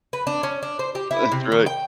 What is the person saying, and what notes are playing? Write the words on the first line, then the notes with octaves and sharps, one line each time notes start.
That's right.
B4
D4
C#4
D4
C5
G4
E4
C3
D#3
G5